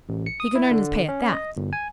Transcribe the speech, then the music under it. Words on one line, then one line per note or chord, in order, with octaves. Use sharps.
He could earn his pay at that.
A1
C#7
D#6
E4
D3
C#4
D#5
G1
G#5